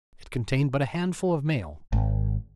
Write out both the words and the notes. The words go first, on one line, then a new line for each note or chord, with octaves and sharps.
It contained but a handful of mail.
G#1